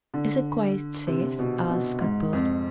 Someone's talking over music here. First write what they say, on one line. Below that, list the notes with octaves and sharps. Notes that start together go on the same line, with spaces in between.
"Is it quite safe?" asked Cuthbert.
D3
C3
B2
B2
G#2
F2